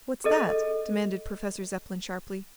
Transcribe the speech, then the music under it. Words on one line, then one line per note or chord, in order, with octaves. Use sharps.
"What's that?" demanded Professor Zepplin sharply.
G#4 A4 D#5